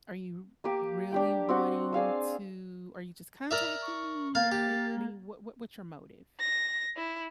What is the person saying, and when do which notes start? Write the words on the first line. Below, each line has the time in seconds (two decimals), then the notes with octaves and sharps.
are you really wanting to are you just contacting me or I mean, what what what's your motive?"
0.64 A#3 G4
1.12 D4 G4 G5
1.49 C4 F#4 F#5
1.93 D4 G#4 F5 E6
3.51 A#4 D5 E5 F7
3.82 C#6
4.35 A#3 F5 A6
4.52 G4
6.40 A#6
6.96 E4